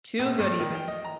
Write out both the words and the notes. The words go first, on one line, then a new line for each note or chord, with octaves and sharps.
too good, even.
A#1
G2
D#3
G5
D#5
A#5